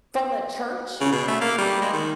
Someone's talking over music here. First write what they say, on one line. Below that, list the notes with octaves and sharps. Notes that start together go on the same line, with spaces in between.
From the church?
C#3
B2
A3
A#3
G3
G#3
D#3